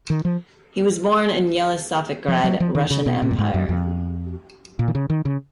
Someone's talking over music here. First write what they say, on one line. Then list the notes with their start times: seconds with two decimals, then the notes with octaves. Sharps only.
He was born in Yelisavetgrad, Russian Empire.
0.10 D#3
0.25 F3
2.28 F3
2.44 F#3
2.60 F3
2.75 D#3
2.91 C#3
3.06 B2
3.22 A#2
3.31 F#2
3.39 G#2
3.54 F#2
3.69 F2
4.79 A#2
4.88 D#3
4.95 C#3
5.10 D#3
5.25 C#3